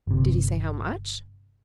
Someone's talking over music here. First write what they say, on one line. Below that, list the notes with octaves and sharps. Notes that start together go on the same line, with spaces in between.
"Did he say how much?"
G1 C3